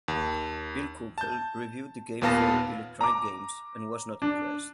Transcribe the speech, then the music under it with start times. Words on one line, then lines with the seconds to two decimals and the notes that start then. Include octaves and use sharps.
Bill Kunkel reviewed the game for "Electronic Games" and was not impressed.
0.08 D#2
1.18 A5 G6
2.22 D#2 A#2 B3 F5 A5 A#6
3.01 A#5 D6
4.22 D4